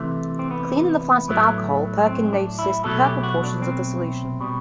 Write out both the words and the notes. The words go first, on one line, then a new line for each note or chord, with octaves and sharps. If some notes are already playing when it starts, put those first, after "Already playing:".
Cleaning the flask with alcohol, Perkin noticed purple portions of the solution.
Already playing: C3 E3 A3
C4
B3
A2 F#3 A3
C4
D4
E4
B2 F#3 A3 A4
G4
F#4
D4
C4
B2 G3